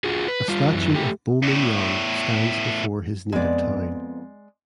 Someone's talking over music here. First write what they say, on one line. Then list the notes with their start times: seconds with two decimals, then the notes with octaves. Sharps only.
A statue of Bo Min Yaung stands before his native town.
0.04 F4 F#4 G#4
0.28 B4
0.48 G3 F4
0.74 F#2 E3
0.94 A3 G4 G5
1.43 E2 A2
3.32 F2 G#3 B3 D5